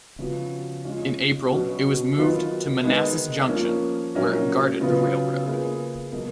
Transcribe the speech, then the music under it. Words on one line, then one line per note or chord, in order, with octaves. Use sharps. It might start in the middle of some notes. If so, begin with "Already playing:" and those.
In April, it was moved to Mannassas Junction, where it guarded the railroad.
C#3 F3 B3 F#4
G#3 C#4 F4
B2 F#3 C#4 F#4 B4
D#3 F#3 B3 F4 B4
D#3 G#3 B3 D#4
F3 A#3 C#4
A#2 F#3 C#4 F#4 A#4
C#3 F#3 B3 F4 B4
A#3 F4 G#4 B4
B2 F#3 A#3